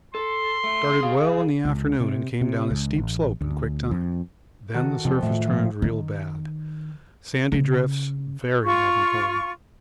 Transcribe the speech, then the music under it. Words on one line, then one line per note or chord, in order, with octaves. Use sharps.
Started well in the afternoon and came down a steep slope in quick time; then the surface turned real bad--sandy drifts--very heavy pulling.
A4 C6
A3
G#4 F5
C#2
C3
C3
C#2
A1
D2
F2
D#3 F#4 A4
F2 C3
A2 E5
F3
D#3
C#3
F4 C#6